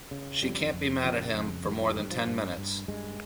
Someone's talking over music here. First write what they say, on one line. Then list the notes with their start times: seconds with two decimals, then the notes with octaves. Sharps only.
She can’t be mad at him for more than ten minutes.
0.11 C#3
0.42 F2 G3
0.73 F2
1.04 C#3 F3
1.34 F2
1.65 G2 D#3
1.81 F3
1.96 G2 D#3
2.11 F3
2.27 G2
2.57 G2
2.88 G2 G#3